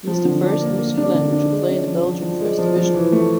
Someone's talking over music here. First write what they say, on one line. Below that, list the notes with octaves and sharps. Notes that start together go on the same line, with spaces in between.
He is the first New Zealander to play in the Belgian First Division.
F3
D3
D4
A#3
A#3
D4
D3
D4
G#3
C#4
F3
F3
F3
G#3
F3
F3
E3
A3